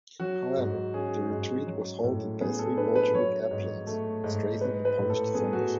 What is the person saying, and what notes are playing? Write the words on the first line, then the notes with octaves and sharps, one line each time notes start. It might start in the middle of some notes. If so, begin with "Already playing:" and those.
However, the retreat was halted by three Bolshevik airplanes strafing the Polish defenders.
F#3 F#4
G#2
C#4 G#4
G#2
F#3
A2
B3 G#4
A4
D4 B4
B4
F#3 C#5
G#2
A3
G#2
G#3 B4
B4
A2
A4
B3 G#4
F#4